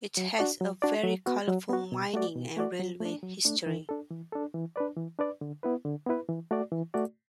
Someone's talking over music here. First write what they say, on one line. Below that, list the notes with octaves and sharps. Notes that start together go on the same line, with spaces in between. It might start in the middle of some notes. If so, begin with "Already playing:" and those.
It has a very colourful mining and railway history.
F#3
D4 F#4 D5
F#3
D4 F#4 D5
F#3
B3 F#4
F#3
B3 F#4
B2
A3 F#4 D5
B2
A3 F#4 D5
F#3
A3 D4
F#3
A3 D4
E3
D4 A4
E3
D4 A4
E3
D4 B4 D5
E3
D4 B4 D5
D3
B3 E4 B4
D3
B3 E4 B4
E3
A3 F#4 D5
E3
A3 F#4 D5